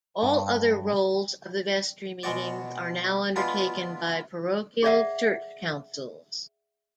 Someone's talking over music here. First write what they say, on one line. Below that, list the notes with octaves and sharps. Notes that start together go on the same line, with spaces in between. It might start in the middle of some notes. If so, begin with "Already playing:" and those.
All other roles of the vestry meetings are now undertaken by parochial church councils.
G2
B2 G#3 F#4 D5
G#3 B3 D4 F4 G#4 B4
G#4 D5 E5 F#5